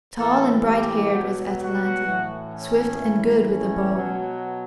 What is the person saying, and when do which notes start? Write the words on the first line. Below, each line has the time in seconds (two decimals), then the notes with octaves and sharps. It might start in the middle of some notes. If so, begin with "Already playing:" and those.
Tall and brighthaired was Atalanta, swift and good with the bow.
0.17 A2 E3 A4
0.64 G4
1.12 B2 F#3
1.59 F#4
2.06 A2 E3
2.53 C#4
3.00 A2 E3
3.47 C#4
3.94 B2 F#3